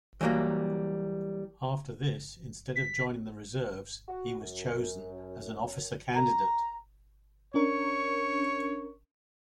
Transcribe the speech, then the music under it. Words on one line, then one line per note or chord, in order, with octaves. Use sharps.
After this, instead of joining the reserves, he was chosen as an officer candidate.
E3 F#3 G3 A3 A#3
B6
F#4
F#2
A#5
C#4 D4 A#4 C#5 C#6